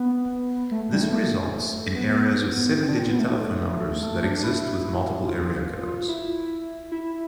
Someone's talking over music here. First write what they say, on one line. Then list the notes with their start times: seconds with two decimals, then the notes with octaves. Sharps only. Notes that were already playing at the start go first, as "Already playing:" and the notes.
This results in areas with seven-digit telephone numbers that exist with multiple area codes.
Already playing: B3
0.71 A3
0.92 G3
1.02 A3
1.13 A3
1.95 B3
2.79 C4
2.89 D4
2.99 C4
3.10 B3
3.19 A3
4.02 A3
4.23 D4
4.44 E4
5.26 F4
6.08 E4
6.92 E4